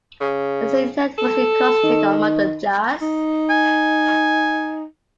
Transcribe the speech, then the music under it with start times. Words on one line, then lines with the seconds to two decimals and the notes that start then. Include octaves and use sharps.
His intent was to concentrate on modern jazz.
0.21 C#3
1.18 A4
1.84 D#3
3.02 D#4
3.50 G#5